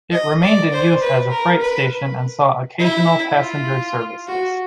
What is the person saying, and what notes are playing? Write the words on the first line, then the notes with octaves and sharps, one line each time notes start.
It remained in use as a freight station and saw occasional passenger services.
D#5
D5
C5
B4
A#4
B4
E4
F4
F#4